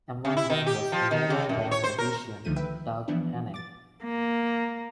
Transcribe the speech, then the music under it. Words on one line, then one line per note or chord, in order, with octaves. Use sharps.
Among them was Canadian-born magician Doug Henning.
C3
E4
D#3
G4
F3
D#3
C#3
F#2
C#5
C5
A#4
C#2 D3 D#3 F3 A3 D#7
B4 E5 G5
E3 F3 B3 D4 E4
D6 A6
A#3